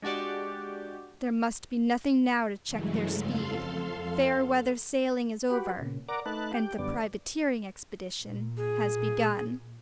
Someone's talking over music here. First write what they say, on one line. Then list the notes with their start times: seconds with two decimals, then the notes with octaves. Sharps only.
There must be nothing now to check their speed; fair-weather sailing is over, and the privateering expedition has begun.
0.02 G#3 D4 F#4 G4 D5
2.67 G2 C#3 E3 F#3 G#3 A3
3.15 F2 A4 F5 C6
5.50 F#4 G4 B4
5.79 A#2 C#3
6.08 A#4 D5 F#5 A#5 D6
6.26 A3 D#4 B4 A5 F#6
6.54 G4 G5
6.79 F#2 D3 G3 B3 D5
8.23 A#2
8.57 G#4